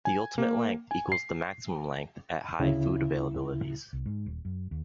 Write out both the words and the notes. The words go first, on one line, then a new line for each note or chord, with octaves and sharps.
The ultimate length equals the maximum length at high food availabilities.
G#5
A#3
G#5
C7
D2 C#3 E4
C2
G#2
D#1
F#2
D#2